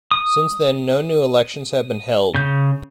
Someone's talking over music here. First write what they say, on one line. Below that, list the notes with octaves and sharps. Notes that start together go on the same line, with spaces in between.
Since then, no new elections have been held.
D#6
C#3 G6